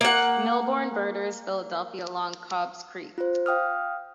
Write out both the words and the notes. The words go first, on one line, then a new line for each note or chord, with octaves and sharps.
Millbourne borders Philadelphia along Cobbs Creek.
A#3 F#5
F4 C5
F5 G5 D#6 F6